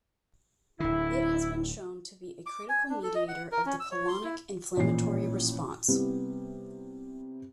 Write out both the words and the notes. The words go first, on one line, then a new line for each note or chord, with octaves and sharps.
It has been shown to be a critical mediator of the colonic inflammatory response.
D1 D3 E4
D6
G#5
D4
A4
D#5
F#5
A#4
C#4
E6
C#5
C6
E4
A1 A#2 F3 C7
C3 G3 B3 E4